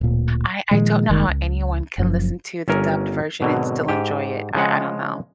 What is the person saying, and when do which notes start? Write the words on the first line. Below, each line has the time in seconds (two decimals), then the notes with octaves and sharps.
I I don't know how anyone can listen to the dubbed version and still enjoy it. I I don't know.
0.01 D1 A#2
0.71 A#2 D#3 F3 G#3
1.10 F#1 D#3 G#3 A#3
1.28 C#2
1.98 F#1 F#2 A#2 F3
2.68 G1 C#4 A#4
3.41 G#1 B2 D3 F#3
3.88 G#2 G4
4.55 C#3 F3 G#3 F#5